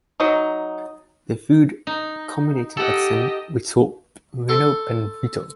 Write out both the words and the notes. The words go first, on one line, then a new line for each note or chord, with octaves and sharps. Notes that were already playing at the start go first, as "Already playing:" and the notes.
Their feud culminated at Sin, which saw Reno pin Vito.
F#3 D#4
D#4
G4 A4 D#5 F#5
A4 C6 C#6